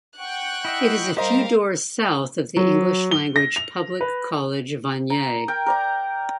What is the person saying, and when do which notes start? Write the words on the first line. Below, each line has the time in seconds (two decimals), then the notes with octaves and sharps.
It is a few doors south of the English-language public college Vanier.
0.18 F#5 G5 C#6 F#6
0.65 E4 D#5 E5
1.17 G3 G4 A#4 C5 D#5 F5 A#5
2.57 F#3
3.11 G7
3.36 A#6
3.56 F7
4.01 B4
5.10 A#5
5.48 A#4 G5 A#5
5.66 A#4 D5 A#5